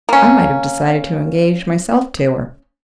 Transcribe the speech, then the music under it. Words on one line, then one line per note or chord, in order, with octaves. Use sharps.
I might have decided to engage myself to her.
A#3 C#4